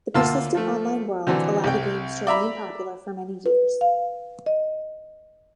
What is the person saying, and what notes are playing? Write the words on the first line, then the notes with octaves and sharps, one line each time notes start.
The persistent online worlds allow the games to remain popular for many years.
D2 A#3 F4 A5 C6 E6
F3 A3
D3 E3 F#3 C4 D4
C2 C3 G5
D5 E5 A#5 B5
B4
F5
D#5